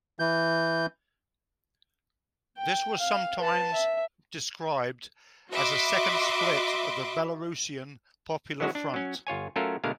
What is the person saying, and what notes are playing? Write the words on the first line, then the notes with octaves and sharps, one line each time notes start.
This was sometimes described as a "second split" of the Belarusian Popular Front.
E3 G6
G5
F5
B4 A5
E5
F#4 D#5 E5 B5 C6 D6
E3 F#3 G#3 C#4 F#4
D4
F#3 C#4
G1 F4 C#5 G#5
F#3 A3 C#4 F4 A4 A#4
B2 D3 G#3 A3 A#4 F5